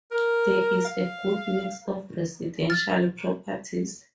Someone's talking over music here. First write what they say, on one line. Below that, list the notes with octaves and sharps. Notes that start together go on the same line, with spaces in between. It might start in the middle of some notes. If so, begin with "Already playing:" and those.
There is a good mix of residential properties.
A#4
F5
F6 A6